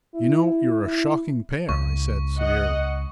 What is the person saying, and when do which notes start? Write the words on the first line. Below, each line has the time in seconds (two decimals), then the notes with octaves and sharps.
"You know, you're a shocking pair!" I said severely.
0.15 E4
0.83 E4
1.69 C#2 C#6
2.39 D#5 F#5